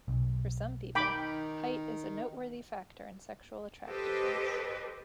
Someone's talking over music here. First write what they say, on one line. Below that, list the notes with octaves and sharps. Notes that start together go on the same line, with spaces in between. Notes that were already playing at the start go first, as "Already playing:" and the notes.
For some people, height is a noteworthy factor in sexual attractiveness.
B1
D#3 D#4 G5 B5 D6
G4 A4 B4 C5 D#5